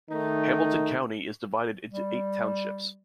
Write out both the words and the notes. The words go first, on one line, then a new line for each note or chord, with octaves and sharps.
Hamilton County is divided into eight townships.
D#3 A3 D#4
G3